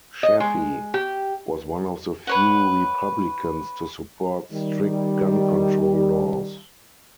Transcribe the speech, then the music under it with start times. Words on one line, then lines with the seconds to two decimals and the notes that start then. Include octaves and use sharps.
Chafee was one of the few Republicans to support strict gun control laws.
0.23 D#5
0.40 G#3
0.94 G4
2.27 B4 C#5 F#5
4.52 D#3 G3